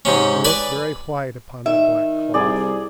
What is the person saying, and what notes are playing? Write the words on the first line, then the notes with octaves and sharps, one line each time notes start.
They looked very white upon the black cloth!
G#2 C3 C#4
B4 D5 G#5 A5 B5
D#3 E5
C2 G#4 D5